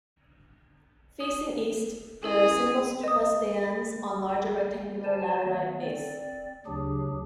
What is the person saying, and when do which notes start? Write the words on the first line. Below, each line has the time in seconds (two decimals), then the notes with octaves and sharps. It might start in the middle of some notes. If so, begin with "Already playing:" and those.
Facing east, the single stupa stands on large rectangular laterite base.
1.20 D#6
2.23 C#4 E4 G#4 A#4
3.03 D#5 D#6
5.04 C5 D5 G#5 A5
5.43 D#3 A3 B3
5.83 C4 D5
6.66 D2 C#3 F#3 D4 G4 G#4